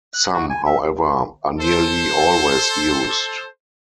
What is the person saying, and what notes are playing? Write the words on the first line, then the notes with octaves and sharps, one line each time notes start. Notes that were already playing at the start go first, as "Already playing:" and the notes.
Some, however, are nearly always used.
F#6
F#4
G#5
E5
A4 C5